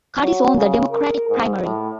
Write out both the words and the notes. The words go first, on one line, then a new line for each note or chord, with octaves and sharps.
Curtis won the Democratic primary.
F#3
C#3
A#4
G#2
A2